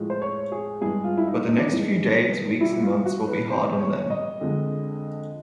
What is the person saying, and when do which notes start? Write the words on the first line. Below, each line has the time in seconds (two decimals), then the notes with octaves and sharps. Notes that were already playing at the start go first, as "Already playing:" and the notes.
But the next few days, weeks, and months, will be hard on them.
Already playing: A2 F3 G#3
0.10 C5
0.22 C#5
0.52 G#4
0.81 G2 E3 G#3 G#4
1.04 F4
1.17 E4
1.27 D#4
1.48 D#4
1.57 D4
1.66 D#4
1.71 G2 E3 G#3
2.61 B2 G3 E4
2.73 E4
2.83 F4
3.05 F#4
3.28 B4
3.50 B2 G3 C5
3.80 C#5
4.10 D#5
4.40 F2 D3 F3 G#3